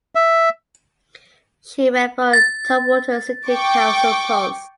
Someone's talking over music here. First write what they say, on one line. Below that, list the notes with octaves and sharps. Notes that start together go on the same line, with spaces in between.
She ran for Tumwater City Council Pos.
E5
A6
G5 C#6 D6